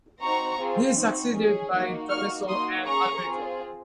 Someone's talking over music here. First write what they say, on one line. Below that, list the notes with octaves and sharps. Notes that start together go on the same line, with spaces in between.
He is succeeded by Tommaso and Alberto.
C4 D#4 F#4 A#5 C#6
C4 F4 G#4
C4 D#4 F#4
C#4 G#4
A#3 D#4 F#4
A#3 D#4 F#4 C#6 F6
A#3 D#4 F#4 C6 D#6
C#4 G#4 A#5 C#6
C4 F4 G#4